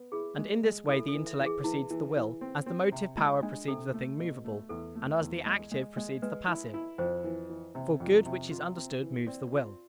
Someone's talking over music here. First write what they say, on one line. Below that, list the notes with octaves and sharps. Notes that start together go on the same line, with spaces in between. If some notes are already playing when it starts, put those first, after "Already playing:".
And in this way the intellect precedes the will, as the motive power precedes the thing movable, and as the active precedes the passive; for good which is understood moves the will.
Already playing: B3
E4 G#4
G#3
G#3
E4 A4
A4
E3
E5
E3
G#4
E3 E4
E3
E3
C4
C4
C3
G#3 F4
G#3 D4
C3 A4
A3
B2
A3
E2 A4
A3
E2
G#3
G#3
G#3
G#3 B4
E4
E4
F2 C5
E3
E3
C3
F2
C3
F4
C4
E3
C4 D5
F4